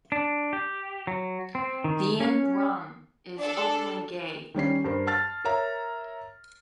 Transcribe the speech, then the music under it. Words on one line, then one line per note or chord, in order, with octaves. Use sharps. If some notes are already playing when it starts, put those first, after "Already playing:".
Lynne Brown is openly gay.
D4
G4
F#3
C4
D#3
C#4
D4 A4
D#3 G3 C#4 C7
G2 A#4 C5
A5 F6 A6
A#4 C#5 E5 A#5